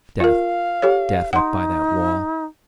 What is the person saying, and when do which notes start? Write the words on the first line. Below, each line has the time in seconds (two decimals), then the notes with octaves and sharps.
Death, death up by that wall.
0.20 F4 A#4 F5
0.82 G4 A4 C#5
1.33 D#4 F#5 C6